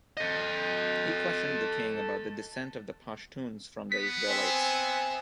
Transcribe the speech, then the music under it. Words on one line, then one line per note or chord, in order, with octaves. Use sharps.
He questioned the King about the descent of the Pashtuns from the Israelites.
A4 D#5
B3 B6
C4 E5 G#5